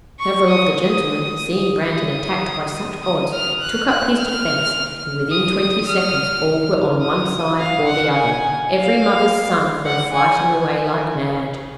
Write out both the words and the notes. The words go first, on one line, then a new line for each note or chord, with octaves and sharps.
Several of the gentlemen, seeing Brandon attacked by such odds, took up his defense, and within twenty seconds all were on one side or the other, every mother's son of them fighting away like mad.
C#6
D#6
D#6
D#6
D#6
F6
F#6
F#6
F6
D#6
D#6
F6
D#6
F5
F#5
G#5
F5
F#5
G#5
G#5